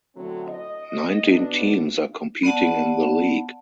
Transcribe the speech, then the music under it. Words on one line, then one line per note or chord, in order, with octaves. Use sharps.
Nineteen teams are competing in the league.
A2 D3 F#3 A3 C4
D#5
B2 B3 D4
B3 D5 F#5 A5